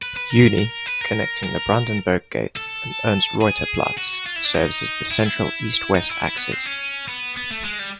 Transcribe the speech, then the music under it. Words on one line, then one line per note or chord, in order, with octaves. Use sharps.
Juni, connecting the Brandenburg Gate and Ernst-Reuter-Platz, serves as the central east-west axis.
B4
B4
A#4
A#4
B4
A#4
A#4
A4
G#4
F#4
F4
E4
D4
D#4
E4
F4
E4
D#4
E4
E4
B3
C4
C#4
B3
B3
A3
G#3
G3